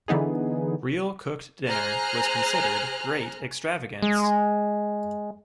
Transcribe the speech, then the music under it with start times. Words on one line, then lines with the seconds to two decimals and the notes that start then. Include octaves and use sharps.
Real cooked dinner was considered great extravagance.
0.08 D3 E3 B3 D#4 G#4
1.68 G#4 C5 A#5 F6 F#6
4.02 G#3